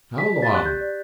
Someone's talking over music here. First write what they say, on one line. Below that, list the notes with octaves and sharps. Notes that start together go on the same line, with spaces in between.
"How long?"
G4 B6
D5
A6
G4 F#6
G4 G6
D5